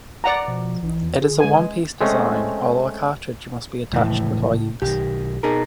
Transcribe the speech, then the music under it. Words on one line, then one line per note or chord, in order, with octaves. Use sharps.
It is a one-piece design, although a cartridge must be attached before use.
D5 F#5 A#5 D6
B2 F3
A#1 E3
E2
D3 G#4
G#3 B4 G#5
G#3 A3 C4 C#4
F1 C#2 A2 E3
B1 D#3 G4
B2 D#4 G#4 A#4